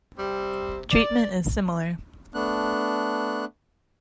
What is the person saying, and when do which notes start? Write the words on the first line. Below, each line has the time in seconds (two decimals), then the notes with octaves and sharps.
Treatment is similar.
0.18 C3 G3 C4
0.92 D5
2.34 A3 B3 D4 F#6